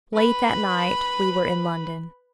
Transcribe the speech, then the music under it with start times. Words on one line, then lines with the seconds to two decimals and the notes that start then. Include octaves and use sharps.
Late that night we were in London.
0.14 B4 B5